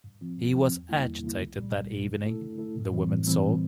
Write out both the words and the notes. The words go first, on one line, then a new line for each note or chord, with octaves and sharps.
He was agitated that evening, the woman saw.
G2
F3 C4
G2
F3 C4
E2
D3 G3 A#3 E4
E2
D3 G3 A#3 E4
C2
A#2 G3
C2
A#2 G3
D3
A3 E4 A4
D3
A3 E4 A4
A2
E3 G3 C4
A2
E3 G3 C4